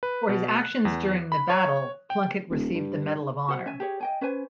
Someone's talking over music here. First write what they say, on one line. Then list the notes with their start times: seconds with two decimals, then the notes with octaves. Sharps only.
For his actions during the battle Plunkett received the Medal of Honor.
0.03 B4
0.29 B2
0.63 F#6
0.85 E2
1.32 B5
1.50 C#5
2.10 G5
2.50 D#1
2.74 G2
3.49 F#4 C5 F#5
3.66 C#4 E5 G#5
3.80 G4 G#4 C#5
4.01 D#5 G5 G#5
4.21 C#4 B4 C5 G#5